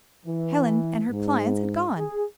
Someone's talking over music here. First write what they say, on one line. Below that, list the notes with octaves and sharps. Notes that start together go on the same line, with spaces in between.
Helen and her clients had gone.
E3
G#2
G#4